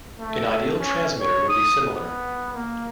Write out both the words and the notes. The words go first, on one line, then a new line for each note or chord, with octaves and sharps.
An ideal transmitter would be similar.
A3
C#4
C#5
D#6
B3
A#3